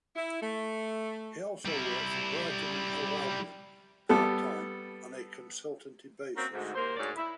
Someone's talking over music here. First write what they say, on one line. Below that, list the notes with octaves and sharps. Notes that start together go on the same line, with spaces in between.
He also worked for Brighton and Hove Albion part-time on a consultancy basis.
E4
A3
G3 E4
G3 B3 A4
A#3 C4 C#4 F#4 A#4
D2 G#2
D#2 A#3 C5
D2 G#2 C#5 D5
E4